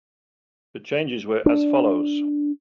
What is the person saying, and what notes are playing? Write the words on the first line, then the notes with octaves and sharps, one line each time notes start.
The changes were as follows.
D4